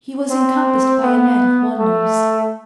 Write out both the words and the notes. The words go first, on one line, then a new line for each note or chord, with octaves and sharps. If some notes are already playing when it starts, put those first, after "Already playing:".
He was encompassed by a net of wonders.
C4
B3
A3